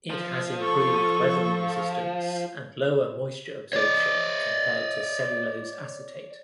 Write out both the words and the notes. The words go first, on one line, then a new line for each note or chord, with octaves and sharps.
It has improved weathering resistance and lower moisture absorption compared to cellulose acetate.
F3
A4 C#6
C#5 D5